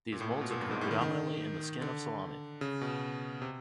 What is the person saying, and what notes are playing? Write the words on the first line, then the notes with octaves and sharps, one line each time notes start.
These molds occur predominantly in the skin of salami.
A#2
A2
A#2
B2
A#2
G2
G#2
A2
D#3
D#3
D3
C#3
B2
C3